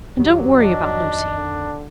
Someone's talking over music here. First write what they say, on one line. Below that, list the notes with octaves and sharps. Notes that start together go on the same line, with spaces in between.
And don't worry about Lucy.
F2 D#3 F#3 G4
D4 D#5
D3